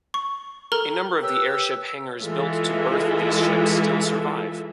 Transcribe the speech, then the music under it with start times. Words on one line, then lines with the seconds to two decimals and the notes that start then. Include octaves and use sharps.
A number of the airship hangars built to berth these ships still survive.
0.14 C#6
0.72 A4 A#4 A#5 F6
1.23 G4 A#4 B4 C#5 E6
2.24 E3 G#3 F4 A4 E5